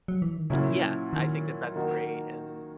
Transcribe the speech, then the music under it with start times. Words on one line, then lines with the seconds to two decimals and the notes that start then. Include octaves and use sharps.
Yeah, I think that that's great and,
0.08 F#3
0.22 E3
0.37 D#3
0.50 A#2 C#3 F#3 C#4 E4
1.13 D#3
1.76 D#3 A#3 D#4 F#4